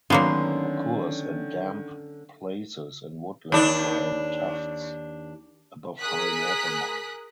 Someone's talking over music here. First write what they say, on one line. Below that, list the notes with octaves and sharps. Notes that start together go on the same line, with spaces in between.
Occurs in damp places in woodland or in tufts above high water mark.
D3 D#3 F#3 A#3 B3 C#4 C6
D#2 D4
G#4 A#4 D#6 F#6 B6